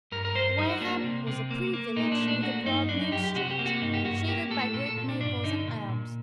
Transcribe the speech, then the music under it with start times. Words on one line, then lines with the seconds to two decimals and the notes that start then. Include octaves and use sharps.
Wareham was a pretty village with a broad main street shaded by great maples and elms.
0.12 G2 A#4
0.25 A#4
0.35 G2 C5
0.58 G3 D#4
0.69 F#4
0.81 A#3 D4
1.04 C3
1.27 C3
1.50 A#3
1.73 A#3
1.96 A#2 D#4
2.12 D4
2.20 A3
2.28 D4
2.43 A#3 F#4
2.66 G2 D#4
2.89 F#2 D4
3.01 D#4
3.12 F#2 G4
3.24 G4
3.35 C3 F#4
3.51 G4
3.59 A#3
3.66 F#4
3.82 G2 D#4
3.94 G4
4.04 G2 F#4
4.28 A#3 G4
4.50 A2 A4
4.74 A#2 A4
4.86 A4
4.97 A#2
5.09 D4
5.21 G2 D4
5.44 D3 D#4
5.67 A#2
5.89 A#2